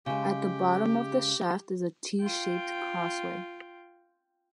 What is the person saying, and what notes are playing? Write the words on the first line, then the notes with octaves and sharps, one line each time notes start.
At the bottom of the shaft is a T-shaped crossway.
C#3 G#3 G4
F4 G5